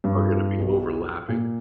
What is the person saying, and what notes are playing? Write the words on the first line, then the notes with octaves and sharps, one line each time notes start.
are going to be overlapping.
G2
B1
A#2